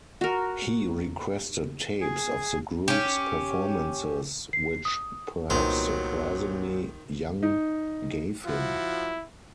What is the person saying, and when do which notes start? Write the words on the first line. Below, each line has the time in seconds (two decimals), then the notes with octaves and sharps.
He requested tapes of the group's performances which, perhaps surprisingly, Young gave him.
0.21 F#4 A#4
2.01 G#4
2.88 C#4 G4
4.53 C7
4.85 D#6
5.50 C2 A#2 D#3 F#3 B3 D#4 C5
7.43 D#4
8.47 F3 E4 F#4